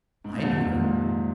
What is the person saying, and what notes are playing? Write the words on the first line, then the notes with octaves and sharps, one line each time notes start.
I knew her.
G#2
A#2
F2 C3 D#3 F#3
A#2
G#2
A#2
C3